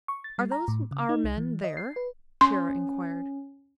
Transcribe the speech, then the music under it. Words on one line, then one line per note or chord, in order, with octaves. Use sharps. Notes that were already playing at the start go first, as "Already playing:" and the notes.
"Are those our men there?" Pierre inquired.
C#6
A6
G3
A#5
A2
C#3
D#4
C2
E3
D#5
C7
B4
C#4 C6